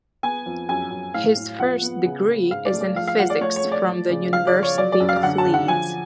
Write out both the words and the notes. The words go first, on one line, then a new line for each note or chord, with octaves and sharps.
His first degree is in Physics from the University of Leeds.
B3 G#5
F2
F#2 G#5
F#2
A2 F5
A2
F2 F#5
B3
C#3
C#3
G#2 F5
D5
A3
D5
F3 F5
F5
F3 F#5
D5
A3 C#5
C#5
A3
D5
F3
C#3
F3 F5
D5
F3
C#5
F#3 D5
D5
F#2
F5
D3 F#5
A5
D3
F#5
F3 G#5